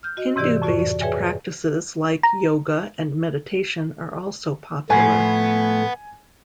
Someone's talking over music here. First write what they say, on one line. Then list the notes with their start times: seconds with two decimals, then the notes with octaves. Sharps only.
Hindu based practises like Yoga and meditation are also popular.
0.03 F6 G6
0.17 F#4 D#5
0.36 G#2 C3 E3 G4 D5 E6
0.62 F2 A2 F#4 D5 C#6
0.79 D5
1.00 G#4 B4 C#5 E5 G5 G#5
2.23 A#5
4.90 A2 F3 A3 B4 F#5 G#5